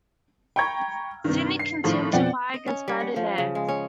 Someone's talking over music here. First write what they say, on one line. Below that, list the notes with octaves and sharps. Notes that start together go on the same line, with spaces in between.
"Sydney" continued to fire against "Bande Nere".
G5 A#5 B5 C#6 G#6
G2 C3 D#3
C7
A2 D#3 F3
F2 B2 C4 D5 F#5 G5
D#5
C#4
G3
F#5
F3
C#3
G#3
C#4